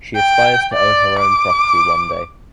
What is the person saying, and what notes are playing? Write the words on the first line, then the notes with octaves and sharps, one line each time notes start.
She aspires to own her own property one day.
G5
D5
D6